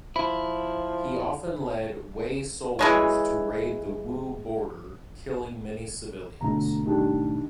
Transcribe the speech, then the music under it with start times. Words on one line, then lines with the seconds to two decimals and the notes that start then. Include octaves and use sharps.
He often led Wei soldiers to raid the Wu border, killing many civilians.
0.16 F3 E4 B5
2.79 E3 G#3 C#5
6.41 G#1 B2 D3 A3 A#5
6.86 D#3 G3 D4